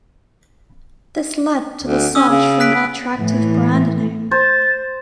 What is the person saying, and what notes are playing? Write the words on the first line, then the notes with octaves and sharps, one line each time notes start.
This led to the search for an attractive brand name.
D2
C#4 D#6 E6
C#3
F#6 B6 D7
B3
A2 E3
C5 A6